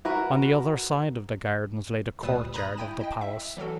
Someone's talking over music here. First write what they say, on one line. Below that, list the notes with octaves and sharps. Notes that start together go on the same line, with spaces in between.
On the other side of the gardens lay the courtyard of the palace.
F#4 A#4 B4
D2 A#2 G3 B4 D#6 E7
A#5 B5 D#6 F#6 G#6 A#6
E4 G5 D#7
D#5 G5
E5
E3 F#3 F#4 A4